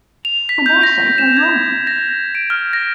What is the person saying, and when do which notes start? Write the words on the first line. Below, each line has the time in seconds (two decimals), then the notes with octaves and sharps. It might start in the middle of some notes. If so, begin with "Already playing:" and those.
And I say they're wrong.
0.25 F7
0.49 B6
0.66 G6
0.83 A#6
1.18 E7
1.37 G#6
1.87 A#6
2.35 D7
2.50 F6
2.73 A#6